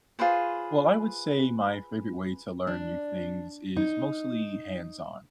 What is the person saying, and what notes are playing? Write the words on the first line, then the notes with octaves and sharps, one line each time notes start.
Well, I would say my favorite way to learn new things is mostly hands-on.
F4 G#4 B4 C5
D4
D#4